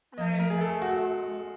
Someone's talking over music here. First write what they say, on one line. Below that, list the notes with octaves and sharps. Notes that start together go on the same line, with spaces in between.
I know.
F3 D#5
A#4
G#4
A4
F#4